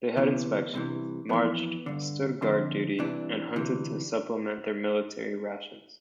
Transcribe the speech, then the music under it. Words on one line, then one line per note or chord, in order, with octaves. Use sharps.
They had inspections, marched, stood guard duty and hunted to supplement their military rations.
D2 C3 E3 B3
C2 C3 E3
F2 E3 B3
G2 D3
F2 D3 C4
C2 C3 E3 D4
D2 C3 E3